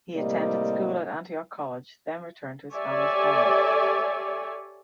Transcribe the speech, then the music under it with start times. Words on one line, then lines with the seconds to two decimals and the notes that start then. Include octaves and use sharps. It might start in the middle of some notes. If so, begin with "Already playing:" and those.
He attended school at Antioch College then returned to his family's farm.
0.17 A2 C3 G3 A#3 D5 D#5
2.74 G4 A4 C#5 D5 E5 G#5